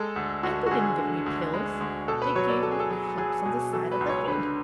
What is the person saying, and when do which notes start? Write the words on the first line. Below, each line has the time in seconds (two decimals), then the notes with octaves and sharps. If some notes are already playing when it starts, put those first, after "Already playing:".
And they didn't give me pills; they gave me clumps on the side of the head.
Already playing: G#3 A4
0.16 D2
0.43 D2 F#4
0.66 F#4
0.71 D2 G#4
0.98 D3
1.26 D2
1.54 G#3
1.81 D2
2.08 B2 A4
2.22 B4
2.35 F#3 C#5
2.49 D5
2.63 F#3 A4
2.71 G#4
2.80 A4
2.90 F#3 G#4
3.18 F#3 G#4
3.46 B2 G#4
3.73 F#3 A4
3.92 B4
4.01 C#2
4.09 C#5
4.28 D3 B4